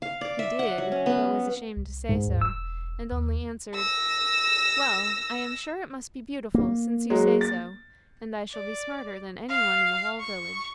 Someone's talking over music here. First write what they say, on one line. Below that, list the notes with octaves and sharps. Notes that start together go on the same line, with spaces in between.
He DID, but was ashamed to say so, and only answered: 'Well, I am sure it must be beautiful since you say so, and I shall be smarter than anyone in the whole village.
F5
D5
E5
F#5
F#3
C#4
B3
C2
G#2
D#2
E1 E6
D#2
E6 A#6
A#3
F#3 G#3
A6
D5
F5
C#6